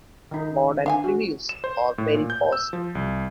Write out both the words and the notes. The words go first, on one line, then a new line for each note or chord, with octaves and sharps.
Modern reviews are very positive.
D#3 D#4
D4 F5 G#5
F#4
E7
C5
A2
A#2
G6
E6
F3
C2